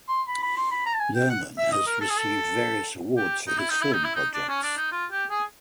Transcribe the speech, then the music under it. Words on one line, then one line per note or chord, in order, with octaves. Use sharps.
Luhrmann has received various awards for his film projects.
C6
B5
B5
C6
B5
A#5
A5
G#5
G5
F#5
E5
D#5
A#4
A4
G#4
A4
G4
D#4
E4
D#4
E4
D#4
E4
D#4
D4
C#4
D4
D#4
F4
G4
G#4